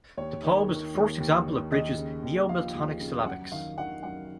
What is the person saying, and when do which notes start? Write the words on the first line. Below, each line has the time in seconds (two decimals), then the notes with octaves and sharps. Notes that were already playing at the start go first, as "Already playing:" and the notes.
The poem is the first example of Bridges' Neo-Miltonic Syllabics.
0.17 D#2 C#5
0.43 D#3
0.69 D#3
0.95 D#2
1.20 D#2
1.46 D#3
1.72 D#2 D#5
1.98 C#3
2.23 D#2
2.49 F3 F5
2.75 D#2
3.00 C#3
3.26 F#2 F#5
3.52 D#3 F5
3.78 D#3 F#5
4.03 F#2 F#5